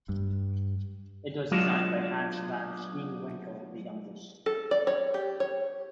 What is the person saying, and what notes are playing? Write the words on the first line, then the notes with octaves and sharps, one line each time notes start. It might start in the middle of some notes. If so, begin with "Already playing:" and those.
It was designed by Hans van Steenwinckel the Youngest.
G2
F#3 G#3 B3 D4 F4 F#4
A4
D5
C#5
G4
C#5